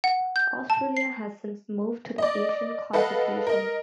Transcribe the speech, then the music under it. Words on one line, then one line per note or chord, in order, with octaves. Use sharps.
Australia has since moved to the Asian confederation.
F#5
G6
A5
C7
D5 D#5
A4 B4 D#5 F5 F#5
A#4 D#5